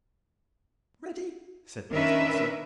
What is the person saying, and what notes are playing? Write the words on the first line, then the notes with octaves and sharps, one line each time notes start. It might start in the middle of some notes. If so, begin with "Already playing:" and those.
"Ready," said Peaseblossom.
D#3 C#4 D4 A#4 B4 E5